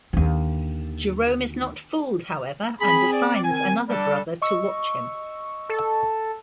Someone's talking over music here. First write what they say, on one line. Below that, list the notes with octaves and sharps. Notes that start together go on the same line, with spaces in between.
Jerome is not fooled, however, and assigns another brother to watch him.
D#2 D3
C4 G#4 B5
D5
D#3 G#5
G3 D4 A4
D#5 C#6 E6
A4